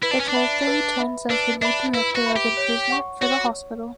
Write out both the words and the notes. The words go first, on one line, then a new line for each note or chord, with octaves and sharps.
The character returns as the new Director of Improvement for the hospital.
E4 B4
D4
C#4
D4
E5 B5
B4
E5 B5
D4 B4
D4 E5 B5
E4 B4
F#4
E5 B5
G4
C#5
F#5 C#6
F#4 C#5